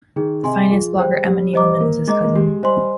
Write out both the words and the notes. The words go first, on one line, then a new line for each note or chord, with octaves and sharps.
The finance blogger Emma Needleman is his cousin.
D#3 G#4
C3 D#5 G#5 C6
F3 G#4
G3 C5 G5
G3 G4
G3 C5 D#5 A#5 D6
A#3 A#4
G#3 D#5 A#5 D6
A#3
G#3 G4
G3 C5 D#5 G#5 C6